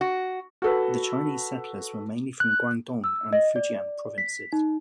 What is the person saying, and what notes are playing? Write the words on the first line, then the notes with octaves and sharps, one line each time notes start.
The Chinese settlers were mainly from Guangdong and Fujian provinces.
F#4
F#4 A4 B4
F#6
E6
D#5
D5
B6
D#4